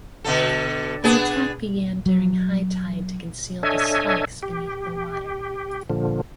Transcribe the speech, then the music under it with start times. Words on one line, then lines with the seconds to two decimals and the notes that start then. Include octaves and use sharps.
The attack began during high tide to conceal the spikes beneath the water.
0.24 B2 D3 A4
1.04 B3 D4 G#4
2.06 F#3
3.63 D4 A4 C#5 D#5 E5 G#5
4.43 G4
5.90 A#2 D3 F3